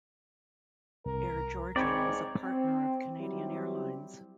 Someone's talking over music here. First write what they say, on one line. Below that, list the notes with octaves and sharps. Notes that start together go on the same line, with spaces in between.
Air Georgian was a partner of Canadian Airlines.
C2 A#4
G#2 C4 C#5 D5 G5 B5
C4
F#3 G3 C4 E4 G4